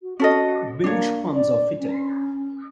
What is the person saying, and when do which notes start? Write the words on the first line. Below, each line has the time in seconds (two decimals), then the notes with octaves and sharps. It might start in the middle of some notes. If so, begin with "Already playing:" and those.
Bilge pumps are fitted.
0.02 F#4
0.20 C#4 F#4 A4 D#5
0.84 A#3 D4 C#5
1.34 D5
1.79 C#4